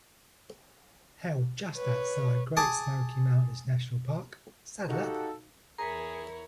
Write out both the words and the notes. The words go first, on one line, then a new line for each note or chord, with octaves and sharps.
Held just outside Great Smoky Mountains National Park, SaddleUp!
B4 C#5
G#4 A5 D6
D#4 F#4 G4 A4 F5 F#5
E2 E4 G#4 A#4 C#5 A#5 B6